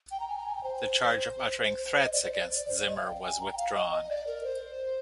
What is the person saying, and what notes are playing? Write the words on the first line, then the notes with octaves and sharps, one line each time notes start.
The charge of uttering threats against Zimmer was withdrawn.
G5
A#5
G#5
A#5
G#5
G5
C5
D#5
D5
C5
D5
C5
D5
D#5
F5
G5
G#5
A#5
G5
F5
D#5
D#5
D5
A#4
C5